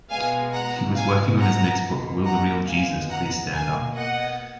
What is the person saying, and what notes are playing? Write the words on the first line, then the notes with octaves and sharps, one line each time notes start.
He was working on his next book Will The Real Jesus Please Stand Up?
B2 G#3 B3 F5 G#5
F#5 A#5
G#2 F3 B3 F5 G#5
F#5 A#5
G#2 D#3 A#3
F#5 A#5
F#2 F3 G#3 B3 F5 G#5
F#5 A#5
B2 A#3 F5 G#5
D#5 F#5